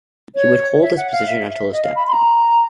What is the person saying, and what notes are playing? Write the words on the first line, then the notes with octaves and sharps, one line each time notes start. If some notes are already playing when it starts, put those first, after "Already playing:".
He would hold this position until his death.
C#5
E5
F#5
F5
E5
E5
D#5
F5
B5
C6
A#5